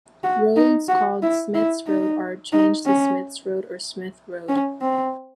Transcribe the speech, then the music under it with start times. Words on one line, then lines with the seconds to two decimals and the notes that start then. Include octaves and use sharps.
Roads called Smith's Road are changed to Smiths Road or Smith Road.
0.24 F#4
0.56 D#4
0.88 F#4
1.22 E4
1.54 E4
1.87 D#4
2.52 D#4
2.85 C#4
4.48 C#4
4.81 C4